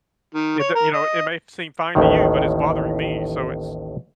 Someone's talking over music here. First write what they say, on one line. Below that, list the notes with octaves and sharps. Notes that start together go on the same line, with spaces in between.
It the, you know, it may seem fine to you, but it's bothering me so it's
D#3
C#5
A#4
D#5
A1 D#2 A2 D#3